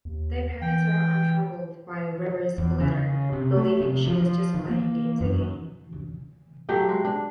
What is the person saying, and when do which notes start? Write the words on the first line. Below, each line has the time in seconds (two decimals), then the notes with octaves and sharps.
Their parents are untroubled by River's letter, believing she is just playing games again.
0.05 D#2
0.62 E3 G5
2.58 E2
2.80 C#3
3.32 C3
3.56 A3
3.80 C3
4.07 F3
4.22 F3
4.54 D#3
4.70 A#3
5.21 F#2
6.69 F#3 A3 G4 G5
6.89 G#3
7.05 D4